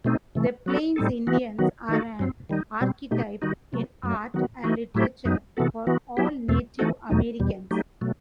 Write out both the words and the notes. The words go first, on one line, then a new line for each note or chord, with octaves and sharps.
The Plains Indians are an archetype in art and literature for all Native Americans.
B2 A3 C4 D#4
C3 E3 A3
F#3 B3 F#4 A4
A2 G3 C4 D#4 A4
E3 B3 F#4
D#3 F#3 B3 F#4
D#3 A3 D#4 F#4 A4
G2 F#3 C4
D#3 G3 D#4
B2 G3 C4
B2 A3 D#4 G4
D#3 G3 D#4 F#4
C3 F#3 A3
F#2 F#3 A3
D#3 F#3 B3 F#4
E3 A3 D#4 F#4
A2 F#3 A3 E4 G4
F#2 F#3 B3 D#4
C3 E3 B3 F#4 A4
E3 B3 F#4
F#3 B3 E4 G4
E2 B2 A3 C4
E3 A3 D#4 F#4 A4
E2 B2 F#3 A3 D#4
E2 B2 G3
F#3 A3 D#4 G4
B2 F#3 A3